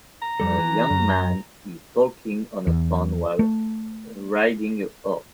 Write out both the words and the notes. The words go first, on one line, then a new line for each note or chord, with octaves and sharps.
A young man is talking on a phone while riding a horse.
A#5
F2 G3 A4
E3
F#2
E2
A3